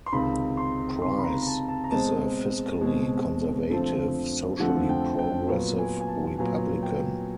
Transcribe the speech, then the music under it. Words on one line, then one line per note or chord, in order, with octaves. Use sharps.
Pryce is a fiscally conservative, socially progressive Republican.
C6
C#2 C3 D#3 B5
C6
C#2 C3 D#3 C6
B5
A#5
A#5
A5
A5
A#5
B2 G#3 C4 A5
B2 G#3 C4
F2 D3 F3 A3 C4 A5
F2 D3 F3 A3 C4 F#5
G5
G5
A#2 F#3 B3
G#5
G#5
A5
A#2 F#3 B3 G#5
G5